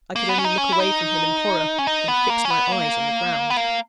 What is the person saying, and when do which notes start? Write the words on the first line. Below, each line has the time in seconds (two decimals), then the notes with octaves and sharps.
I could only look away from him in horror, and fix my eyes on the ground.
0.16 A#3
0.29 B3
0.38 C#4
0.44 D#4
0.58 C#4
0.72 E4
0.80 D#4
1.78 C#4
1.87 D#4
2.08 B3
2.30 A#3
2.45 C#4
2.50 B3
2.72 A#3
3.50 B3
3.57 A#3